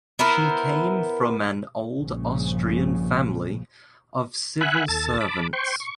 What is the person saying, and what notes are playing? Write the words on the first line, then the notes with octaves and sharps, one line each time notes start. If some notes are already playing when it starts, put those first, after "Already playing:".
She came from an old Austrian family of civil servants.
B3 E4 A#4 C5
A#1 G2 A#2 C#3 F3 G#3
E5 F#5 G#5 B5 F#6
D#2 A4 A5 A6
A5 B5 D6
C5 G5 C6 C#6
C#6